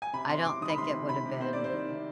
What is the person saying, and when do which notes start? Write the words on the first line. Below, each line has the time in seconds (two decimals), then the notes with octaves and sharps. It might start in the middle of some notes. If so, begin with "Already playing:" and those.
I don't think it would've been,
0.02 G#5
0.13 C3 B5
0.29 C3 C6
0.45 C3 D6
0.61 D#3 D#6
0.69 B5
0.77 C3 C6
0.93 C3
1.09 C3 B5
1.26 C3
1.41 C3 C5
1.53 C3 D5
1.64 C5
1.73 D#3
1.90 C3